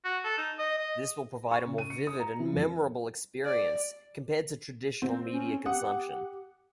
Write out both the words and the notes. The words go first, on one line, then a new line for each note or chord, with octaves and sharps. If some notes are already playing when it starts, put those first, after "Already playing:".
This will provide a more vivid and memorable experience compared to traditional media consumption.
F#4
A4
D#4
D#5
D#5
C#6
C#3
D#7
C#7
D#6
A#5
E3
F2
D5
C4
C#4
G4 F#5 D#6